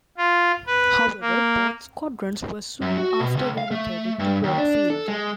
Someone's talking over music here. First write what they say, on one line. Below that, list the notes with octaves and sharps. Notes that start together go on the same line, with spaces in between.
However, both squadrons were soon after relocated to Bogue Field.
F4
B4
A#3
F#2
F#4
B2
C#2
F5
A3
G2
D#2
D4
A4
G#3